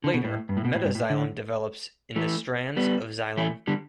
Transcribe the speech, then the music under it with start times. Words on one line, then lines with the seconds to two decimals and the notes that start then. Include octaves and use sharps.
Later, 'metaxylem' develops in the strands of xylem.
0.04 D3
0.14 B2
0.24 A2
0.49 G2
0.57 A2
0.65 B2
0.75 A2
0.85 G2
0.95 A2
1.10 D3
2.16 E3 A3
2.77 G3 B3
3.37 E3 A3
3.67 D3 G3